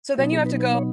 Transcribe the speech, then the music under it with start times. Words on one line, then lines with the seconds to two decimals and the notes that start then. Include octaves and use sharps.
So then you have to go
0.18 B2 F#3 B3 D#4 F#4
0.33 G#4
0.46 B4
0.60 B4
0.74 C#5